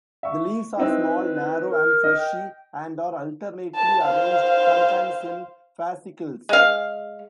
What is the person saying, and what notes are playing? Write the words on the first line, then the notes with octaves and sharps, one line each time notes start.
The leaves are small, narrow, and fleshy, and are alternately arranged, sometimes in fascicles.
E5 C#6
C4 D#4 E4 B4
A#4
D#5
G5
A5
C5 F5
G#3 F5